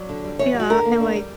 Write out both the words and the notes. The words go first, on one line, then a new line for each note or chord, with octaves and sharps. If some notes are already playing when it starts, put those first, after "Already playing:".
Yeah, and, like,
Already playing: F#3 D5
D3
G3
E3 C#5
G3
F#4
D3 A#4
A#3
D4
G3